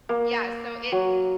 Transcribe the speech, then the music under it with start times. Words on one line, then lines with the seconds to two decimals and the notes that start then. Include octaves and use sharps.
yeah, so it
0.09 A#3
0.92 F#3